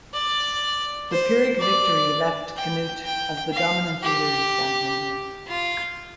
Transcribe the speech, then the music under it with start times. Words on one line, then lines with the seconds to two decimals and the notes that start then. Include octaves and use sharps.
The Pyrrhic victory left Cnut as the dominant leader in Scandinavia.
0.14 D5
1.11 C5
1.60 D5
2.56 G5
3.05 G5
3.53 F5
4.02 G4
5.47 F4